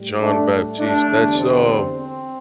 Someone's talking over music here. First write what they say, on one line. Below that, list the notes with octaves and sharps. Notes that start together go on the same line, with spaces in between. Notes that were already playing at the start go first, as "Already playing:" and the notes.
Jon Batiste, that's, um
Already playing: A2 G3
A3 D4
A3 D4
E2 D3 G3
C4
C4